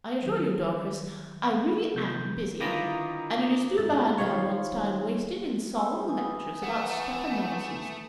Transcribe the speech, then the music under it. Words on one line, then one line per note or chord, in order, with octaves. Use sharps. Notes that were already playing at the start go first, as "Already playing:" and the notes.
I assure you, Dorcas, I really am busy; and it is too bad to have one's time wasted in solemn lectures about stuff and nonsense.
D#3 F#3
C3 F3 B3 G6
D3 D#3 E4 F4 B4 A#5 D6 D#6
G#2 A3 A6
D#3 F3 C#5 C6
G3 E6
E3 G#5 D#6
E3 A3 F#5